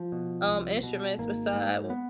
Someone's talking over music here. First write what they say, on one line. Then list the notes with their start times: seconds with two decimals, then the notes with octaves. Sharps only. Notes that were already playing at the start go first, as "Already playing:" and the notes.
um, instruments beside
Already playing: F3
0.12 B2
0.47 C2
0.83 B2
1.19 G#1 A#3
1.54 G#2
1.90 B3